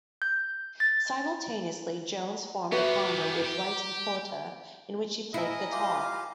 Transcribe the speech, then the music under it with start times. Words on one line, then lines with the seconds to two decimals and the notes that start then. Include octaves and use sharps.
Simultaneously, Jones formed a combo with White and Porter, in which he played guitar.
0.22 G6
0.80 A6
2.72 B3 F#4 G4 B4 E5
3.46 G4
5.34 E4 A#4 D#5 G#5 B5
5.72 F4 G4 F5